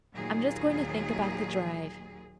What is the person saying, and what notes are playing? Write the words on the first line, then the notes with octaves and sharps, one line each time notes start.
I'm just going to think about the drive.
D#2 A#2 D#3 F#3 G#4